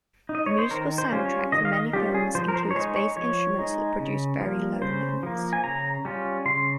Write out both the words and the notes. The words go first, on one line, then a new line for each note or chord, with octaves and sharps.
The musical soundtrack for many films includes bass instruments that produce very low notes.
D#4
D#5
C#5
C5
D#3 A#4
C5
G3 C#4 F4
C#5
D#3 D#5
F5
D#5
G3 C#4 F4 G4
G#4
F3 C5
A#4
C5
C#5
G#3 D#4 C5
C#5
F3 C#5
G#3 D#4
C#3
F3 A#3
C#3 C5
F3 A#3
G#5
C#3 A#5
G3 C#4 F4
C#3 C6